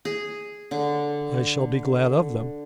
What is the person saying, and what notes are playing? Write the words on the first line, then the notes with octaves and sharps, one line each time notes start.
I shall be glad of them.
G#4
D3